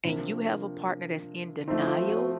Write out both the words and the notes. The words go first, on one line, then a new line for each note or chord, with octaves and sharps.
and you have a partner that's in denial,
C3 F3 A#3 D4
F3 A3 C4 D#4
E4
F4
F#4